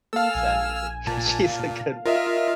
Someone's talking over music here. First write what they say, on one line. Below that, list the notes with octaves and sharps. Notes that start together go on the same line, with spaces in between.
sad music, she's a good one.
A#3 A4 F5 A5 E6 F6
A#1 G#5
A#2 A5
F5
F4 A#4 D#5 E5